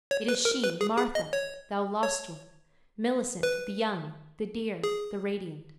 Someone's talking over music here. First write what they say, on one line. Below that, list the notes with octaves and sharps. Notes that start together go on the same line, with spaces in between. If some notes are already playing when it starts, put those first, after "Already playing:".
It is she, Martha, thou lost one, Millicent, the young, the dear, the radiant.
C#5
B4
A#4
B4
G#4
G#4
D#5
C#5
C#5
B4
G#4